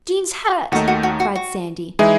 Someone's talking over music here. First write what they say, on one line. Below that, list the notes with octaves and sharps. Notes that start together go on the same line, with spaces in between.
"Jean's hurt," cried Sandy.
D#2 D#3 A3 D#4 F#4
F#4
F#4
F#4
F#4
E3 G#3 D#4 E4 G#4